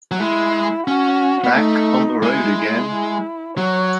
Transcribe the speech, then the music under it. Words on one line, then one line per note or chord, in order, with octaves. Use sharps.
Back on the road again!
F#3
G#3 E4
C#4 F#4
B3
A3 D#4
G#3 E4
E4
F#3 C#5